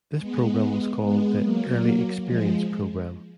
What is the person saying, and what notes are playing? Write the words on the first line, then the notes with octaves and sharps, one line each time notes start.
This program was called the "Early Experience Program".
G#3 B3
G#3 B3
F#3 A#3
F3 G#3